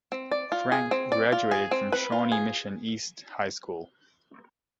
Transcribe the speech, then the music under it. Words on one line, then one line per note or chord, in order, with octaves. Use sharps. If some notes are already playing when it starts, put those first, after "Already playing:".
Frank graduated from Shawnee Mission East High School.
C4
D5
F4
G#4
C4
D5
F4
G#4
C4
B4
F4
G#4